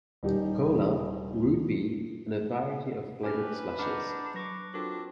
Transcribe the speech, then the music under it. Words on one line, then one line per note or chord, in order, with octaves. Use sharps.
Cola, root beer and a variety of flavored slushes.
D#1 D#4 G4
C#4 D4 G4 B4 F6
D4 D#5 F#5 A#5 B5 F6 G6
F#3 B4 C#6 D6 A#6
C4 D4 F4 F#4 A4 A#4